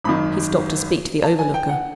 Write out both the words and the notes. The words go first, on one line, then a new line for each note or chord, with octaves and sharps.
He stopped to speak to the overlooker.
G#1 F#2 D#3 B5
A5
G#5
G5
F#5